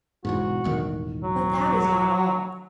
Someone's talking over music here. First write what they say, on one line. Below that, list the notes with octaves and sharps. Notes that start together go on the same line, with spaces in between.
But that is not all.
E1 E2 G#2 F#4
E1 A1 D#3
F#3